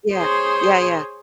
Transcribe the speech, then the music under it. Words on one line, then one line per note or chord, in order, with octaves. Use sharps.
Yeah. Yeah, yeah.
G#4 C5 C#5 C6